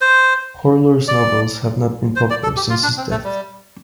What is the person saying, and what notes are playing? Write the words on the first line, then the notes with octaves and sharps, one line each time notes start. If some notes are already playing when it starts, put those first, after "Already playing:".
Horler's novels have not been popular since his death.
C5
D5
C5
D5
A4
G4
F4
D4
C4
A3
G3